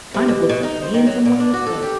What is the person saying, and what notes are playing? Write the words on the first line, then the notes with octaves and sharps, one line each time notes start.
kind of looks up to me in some ways, but
C3
B2
B2
D#4
C5
D#3
F#3
A#2
D4
F#4
A4
G4